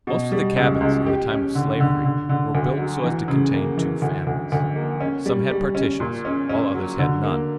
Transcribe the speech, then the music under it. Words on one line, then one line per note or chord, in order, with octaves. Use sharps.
Most of the cabins in the time of slavery were built so as to contain two families; some had partitions, while others had none.
B2
G3
C#2
C#2
G4
C#4
D3
D3
D3
D3
D2
F#3
E3
C#3
A#3
E3
D2
D2
D2
A#3
C#4
G3
G3
C#4
A#2
C#4
C#4
F#3
D3
A#3